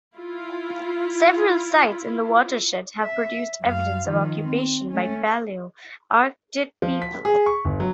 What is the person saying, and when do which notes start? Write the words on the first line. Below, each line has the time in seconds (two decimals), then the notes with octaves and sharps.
Several sites in the watershed have produced evidence of occupation by Paleo-Arctic people.
0.16 E4 F4
3.02 E5
3.62 F#2 F5
4.07 D#3 F3
4.45 C4
4.91 A3 C#4
6.82 F3
7.02 B6
7.25 G#4
7.46 C#6
7.65 G1
7.80 F#3